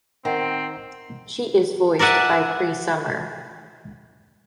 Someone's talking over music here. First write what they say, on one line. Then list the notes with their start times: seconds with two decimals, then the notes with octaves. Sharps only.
She is voiced by Cree Summer.
0.25 D#3 C4 A#4 F#5 G5
1.99 A#4 D5 E5 F#5 G#5